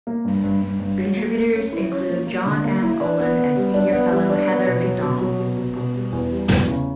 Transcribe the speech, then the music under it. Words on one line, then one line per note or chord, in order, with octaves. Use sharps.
Contributors include John M. Olin and Senior Fellow Heather Mac Donald.
A#3
G2
G2
G2
G2
F#3
A#3
A#3
C#4
E4
C#4
A#3
A#3
D3
A#3
E4
D4
B3
B3
G3
D4
B3
G3
D4
B3
B2
F#3
B2
F#3
B2
B2
B2
G3
E2
G3
E2
C#3